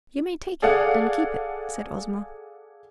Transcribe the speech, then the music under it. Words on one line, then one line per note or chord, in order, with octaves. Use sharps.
"You may take it and keep it," said Ozma.
G#4 A4 D5 F5 F#5